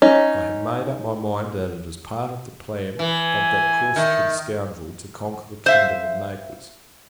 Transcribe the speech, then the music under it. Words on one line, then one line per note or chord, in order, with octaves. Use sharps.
I have made up my mind, that it is part of the plan of that Corsican Scoundrel, to conquer the kingdom of Naples.
C#4 D#4
E3 G#5
D#3 E5
C5 E5 F5